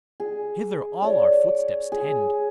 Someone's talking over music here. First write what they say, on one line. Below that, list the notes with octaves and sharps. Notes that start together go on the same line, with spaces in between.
Hither all our footsteps tend.
G#4
C#5 D5
G#4